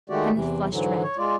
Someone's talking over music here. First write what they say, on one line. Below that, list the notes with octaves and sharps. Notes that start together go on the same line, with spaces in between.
Kenneth flushed red.
D#3 G#3 A3 F#4 G4 D5
E2 C3 E3
G#2 D3 E3 F#3
C#5
G#3 F4 D5